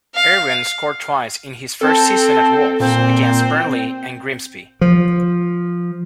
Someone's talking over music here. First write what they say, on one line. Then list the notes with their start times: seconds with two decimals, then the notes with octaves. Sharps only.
Irwin scored twice in his first season at Wolves, against Burnley and Grimsby.
0.15 F5
1.81 C4 A4
2.80 A#2 C4
4.81 F3